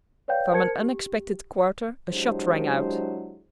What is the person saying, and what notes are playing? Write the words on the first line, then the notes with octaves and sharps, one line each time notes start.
From an unexpected quarter a shot rang out.
B4 C#5 D5 F5 G5 G6
A#4 C5 A5 G#6 C#7
G4
F#3 G#3 D4 E4 G4 C5